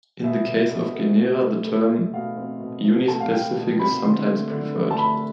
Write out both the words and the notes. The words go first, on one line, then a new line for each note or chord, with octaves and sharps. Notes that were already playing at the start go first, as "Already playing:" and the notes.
In the case of genera, the term "unispecific" is sometimes preferred.
B2 E5
B2
B2
A3
B2
A3
A3
A3
B2 F5
C4
B2
B2
A3 A5
F5
B2 G5
B2
C4 B5
D3 C6
A3
D3
A3
A5
A3 B5